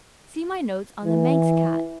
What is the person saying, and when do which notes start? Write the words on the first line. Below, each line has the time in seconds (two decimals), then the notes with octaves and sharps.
See my notes on the Manx cat.
1.05 E3